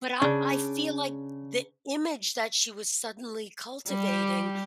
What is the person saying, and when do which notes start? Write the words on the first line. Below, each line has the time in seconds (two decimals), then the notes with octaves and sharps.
but I I feel like the image that she was suddenly cultivating
0.22 C#3 D4
3.88 G3 G4